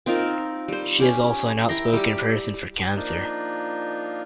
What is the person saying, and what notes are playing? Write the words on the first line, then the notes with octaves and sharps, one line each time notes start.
She is also an outspoken person for Cancer.
C4 D#4 F4 A#4
G3 C5
C#4 G4
E4 G5 A#5 C6
G3 G4
F3 A#3 D4 D#4 F4